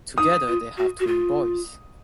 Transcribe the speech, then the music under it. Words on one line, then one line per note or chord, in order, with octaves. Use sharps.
Together they have twin boys.
D#4 D#6
F4
F#4
F#4
F4